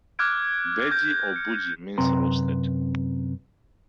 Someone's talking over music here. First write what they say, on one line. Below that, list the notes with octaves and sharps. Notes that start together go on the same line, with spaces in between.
Beji or burji means roasted.
D6 F6 F#6 G#6 D7
D6 G6 A#6
C#7
F#2 C3 C4 B4 A#5 C6